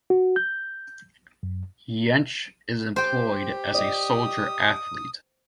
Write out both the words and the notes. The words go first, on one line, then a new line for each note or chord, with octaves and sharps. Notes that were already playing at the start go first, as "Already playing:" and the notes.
Jentsch is employed as a soldier athlete.
F#4
G6
F#2
G4 C5 G5
D5 D#5 D#6